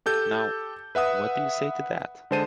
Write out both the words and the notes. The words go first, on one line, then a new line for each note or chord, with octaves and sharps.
Now, what do you say to that?
G4 A4 G6
B4 E5 F#5 D#6
D3 G#3 C5 A5 D#7